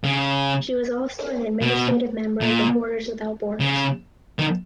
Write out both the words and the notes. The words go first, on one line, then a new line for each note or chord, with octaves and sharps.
She was also an administrative member of Reporters Without Borders.
C#3
B2
A#2
C#3
D#3